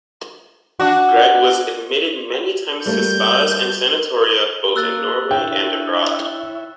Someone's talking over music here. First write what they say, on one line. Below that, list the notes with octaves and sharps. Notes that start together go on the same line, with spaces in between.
Grieg was admitted many times to spas and sanatoria both in Norway and abroad.
D4 F#4
G3 A3 A#3 G6
A#3 E6 F#6 A6
D4 E4 C#5 E5 G5